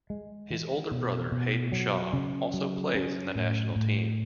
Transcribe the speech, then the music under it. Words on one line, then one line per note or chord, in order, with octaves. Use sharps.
His older brother Hayden Shaw also plays in the national team.
G#3
E3
B2
B2
F#3
C#3
F#3
C#4
A2
A2